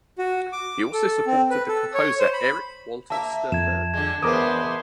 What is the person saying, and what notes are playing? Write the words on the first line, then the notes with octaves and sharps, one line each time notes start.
He also supported the composer Erich Walter Sternberg.
F#4
D6
A4
C4
B4
A4
C#5
C5
B5
A#3 E5 A5
F2 G#6 E7
D3 G#3 G#6
E2 G#3 B3 A#4 C5 D6 D#6